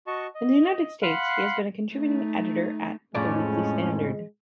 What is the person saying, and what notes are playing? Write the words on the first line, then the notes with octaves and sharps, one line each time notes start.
In the United States, he has been a contributing editor at "The Weekly Standard".
F#4 D#5 A5 C#6
D#5
F5 F#5 B5 C6 F#6
A3 D#4
F2 A2 G#3 C#4 D5